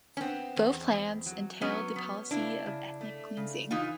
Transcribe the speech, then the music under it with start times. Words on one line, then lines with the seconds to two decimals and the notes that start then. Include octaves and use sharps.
Both plans entailed the policy of ethnic cleansing.
0.17 C#4
0.21 B3 C4
0.56 E2
0.91 E2
1.26 F#3
1.61 F#3 B3 C#4
1.96 B3
2.31 C#3 D4 E4
2.66 C#3
3.01 A3
3.37 C#3
3.71 E3 D#4 F4